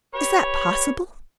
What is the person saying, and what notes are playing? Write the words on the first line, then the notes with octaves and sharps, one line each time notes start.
Is that possible?
G4 B4 C#5